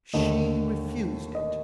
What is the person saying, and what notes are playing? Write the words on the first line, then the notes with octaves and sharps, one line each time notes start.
"She refused it."
D#2 D3 A3 D#5
D#5